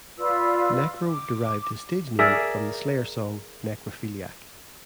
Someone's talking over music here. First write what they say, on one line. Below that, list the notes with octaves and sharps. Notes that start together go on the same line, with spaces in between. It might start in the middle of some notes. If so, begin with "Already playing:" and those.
Necro derived his stage-name from the Slayer song "Necrophiliac".
F4 B4 D5 E6
D6
G#4 A#4 D5 E5